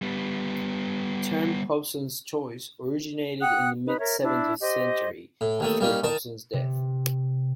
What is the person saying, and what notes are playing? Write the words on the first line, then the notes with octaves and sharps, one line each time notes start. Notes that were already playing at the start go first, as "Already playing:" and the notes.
The term "Hobson's choice" originated in the mid-seventeenth century, after Hobson's death.
G3 B3
F#5 G5 D#6 F#6
D#4 B4
A#4 C#5 E5
D4 E4
G4 C5 D#5
A2
D#2 D#3 A3
G3 A#3 C#4 D#4
D#3 A#4 A5
C3